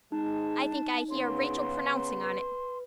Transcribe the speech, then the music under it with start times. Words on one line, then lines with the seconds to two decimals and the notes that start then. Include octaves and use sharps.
I think I hear Rachel pronouncing on it.
0.12 G#3 D#4 A5
1.10 C#3 B3 C#4 C6
2.24 B4